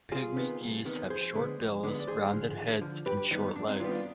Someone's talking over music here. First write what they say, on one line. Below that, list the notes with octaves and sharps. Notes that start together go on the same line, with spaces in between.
Pygmy geese have short bills, rounded heads and short legs.
C2 F4 G#4
C3 D#3 B3
C2
C3 D#3 B3
F2 G#4 C5
D3 G#3 B3
F2
D3 G#3 B3
D5
D#2 G#4 C5
D3 F3
D#2
D3 F3
G2 G4 B4
D#3 G3 B3 C4 D#4
G2 D4
C4 D#4
D#3 G3 B3 D4 F4
D4 F4